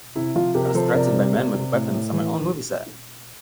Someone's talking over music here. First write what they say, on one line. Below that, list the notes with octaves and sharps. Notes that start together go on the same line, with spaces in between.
I was threatened by men with weapons on my own movie set.
C3 E4
F3 F4
C3 G4 A#4
A#4
F3 A4 C5
C3 A#4 D5
C3
C3
C3
A2
A2
E3